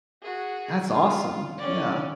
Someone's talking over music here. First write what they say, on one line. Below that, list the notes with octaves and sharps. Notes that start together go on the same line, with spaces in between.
That's awesome, yeah.
F#4 G#4
F4
C#4 D5